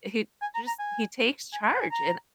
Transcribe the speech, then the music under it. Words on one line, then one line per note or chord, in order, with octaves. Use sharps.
he just he takes charge, and
G#5
A#5
A#5
G#5
G#5
F#5
G#5
A#5